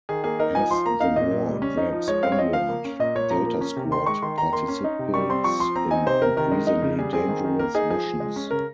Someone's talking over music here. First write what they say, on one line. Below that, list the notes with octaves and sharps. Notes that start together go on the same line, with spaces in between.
As the war drags onward, Delta Squad participates in increasingly dangerous missions.
D#3 G#4
A#3 G#4
D#4 A#4
F3 G#5
F3 C6
A#3 A#5
D#4 F5
A#2 D#5
A#2
G3
C#4
D#4
F3
G#3 C#5
C4 F5
C#5
F3 D#5
F3 F5
A#3
C#4
A#2 D#5
A#2 C#5
F3 A#5
A#3
C#4
C3
D#3 C6
G#3 C#6
D#3 C6
D#3 A#5
A#3 C6
C#4
D#4
C3
G3 C#6
C4 C6
F3 C#6
F3 C6
C4 A#5
D#4 G#5
C3 C5
C3 A#4
D#3 A#4
G#3
D#4
C#3
G3 G#4
C4 G#4
D#3
D#3
A#3 A#4
D#4 G#4
F3 G#4
F3
G#3
C#4
C#3 A#4